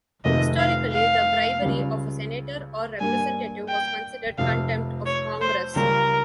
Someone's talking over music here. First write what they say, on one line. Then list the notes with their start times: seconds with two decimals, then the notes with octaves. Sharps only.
Historically, the bribery of a senator or representative was considered contempt of Congress.
0.25 F1 F2 C3 D#3 D#5
0.59 F5
0.93 F5
1.62 C#2 C#3 G3
3.00 G2 G3 A#3 G#5
3.69 G5
4.38 F1 F2 C3 F5
5.06 C#5
5.41 C5
5.76 C#2 C#3 G3 C#4 G4 A#4